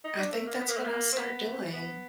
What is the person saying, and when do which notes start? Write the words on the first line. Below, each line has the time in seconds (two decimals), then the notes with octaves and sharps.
I think that's what I'll start doing.
0.04 D#4
0.18 D4
0.32 A3
0.47 A#3
0.60 B3
0.69 A#3
0.77 A3
0.86 A#3
1.12 C4
1.17 B3
1.73 B3